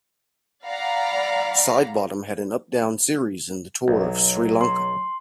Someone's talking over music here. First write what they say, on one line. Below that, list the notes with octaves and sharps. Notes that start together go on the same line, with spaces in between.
Sidebottom had an up down series in the tour of Sri Lanka.
D5 F5 F#5 A#5 B5
B1 F#3
C6